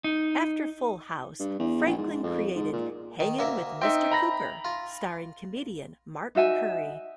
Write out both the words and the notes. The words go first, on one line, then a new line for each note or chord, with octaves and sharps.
After "Full House", Franklin created "Hangin' with Mr. Cooper", starring comedian Mark Curry.
D#4
G2
E2
A#1
G#2
F2
G#2
A#2
D#3
D2 A#3 E5
C4 D#4 E5 G5
A#5 B5 A#6
F4
D#4 F#4 E5 G#5